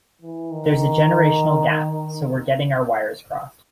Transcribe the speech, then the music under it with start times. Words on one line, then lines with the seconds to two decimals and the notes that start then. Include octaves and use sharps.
There's a generational gap, so we're getting our wires crossed.
0.22 E3
0.51 D#3